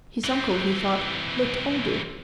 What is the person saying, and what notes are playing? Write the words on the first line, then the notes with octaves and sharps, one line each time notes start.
His uncle, he thought, looked older.
E3 C4